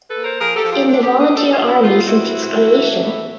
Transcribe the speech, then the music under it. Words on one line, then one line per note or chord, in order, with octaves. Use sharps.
In the Volunteer Army since its creation.
A4 B4
A#3
A#4 C5
F3 G#4 A#4
G4 A4
F3
F4 G4
D4
G4 A4
D4
G#4 A#4
D4 G4 A4
F4 G4
D4
E4 F#4
A2 D#4 F4
C4 E4 F#4
E3
A3
E3
A2